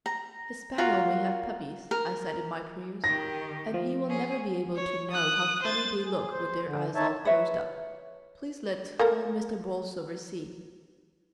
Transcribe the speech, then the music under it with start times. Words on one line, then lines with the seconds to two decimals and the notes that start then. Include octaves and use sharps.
"His spaniel may have puppies," I said in my prayers, "and he will never be able to know how funny they look with their eyes all closed up. Please let old Mr. Borlsover see."
0.06 A#5
0.78 F4 F#4 A#4
1.91 A#4
3.04 D#3 G4 A#6
3.74 F3
4.07 C#4 G#4
4.76 C#5
5.11 D#6 F#6
5.63 C5 A6
6.05 G#4
6.32 C5
6.65 D3
6.95 D#4 C#5 E5 A5
7.25 B4 C#5 E5
8.99 A#3 A4 A#4